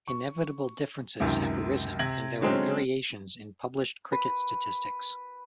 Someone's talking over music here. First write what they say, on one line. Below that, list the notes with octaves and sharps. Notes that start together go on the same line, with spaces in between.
Inevitable differences have arisen and there are variations in published cricket statistics.
C#6
C#2 F#2 C3 D#3
C3 G#6 A#6 F#7
D3 F#3 G#3 C4 C#4
B4